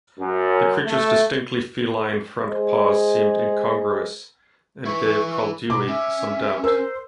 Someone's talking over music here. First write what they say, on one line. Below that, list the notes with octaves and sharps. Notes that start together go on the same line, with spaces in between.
The creature's distinctly feline front paws seemed incongruous, and gave Koldewey some doubt.
F#2
A3
G#3 G#4 C5 D#5
E4 B4 C#6
B2 A#5 D6
C#4 E5
A#4 C5 E6